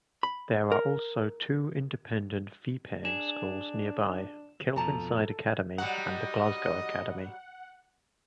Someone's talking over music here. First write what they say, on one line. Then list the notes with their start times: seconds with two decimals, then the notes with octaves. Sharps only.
There are also two independent, fee-paying schools nearby, Kelvinside Academy and The Glasgow Academy.
0.23 B5
0.72 A#4
3.05 D4 G#4 E7
4.76 F2 B2 F3 A4 A5 A#5
5.78 F#3 G3 D#4 D#5 F#5